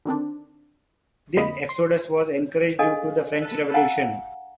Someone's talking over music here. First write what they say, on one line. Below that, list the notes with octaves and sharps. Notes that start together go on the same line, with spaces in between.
This exodus was encouraged due to the French Revolution.
D3 D#3 C4 D4
F2 D3 A#3 C4 D#5 B5
C6
D4 G#4 A4 D#5 F5 G#5
F5 F#5 G#5 A#5